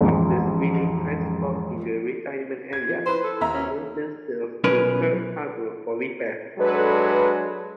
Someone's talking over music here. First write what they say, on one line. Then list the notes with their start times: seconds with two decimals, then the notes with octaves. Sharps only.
After screening transports in the retirement area, "Hamilton" sailed to Pearl Harbor for repairs.
0.01 A1 F2 G#2
2.73 G#6
2.89 F3
3.06 E4 B4 C5
3.24 A4
3.41 D#2 E5 A#5
3.54 C#4
4.64 B1 C#4 A#4 B4
6.59 F#3 G#3 D4 A4 B4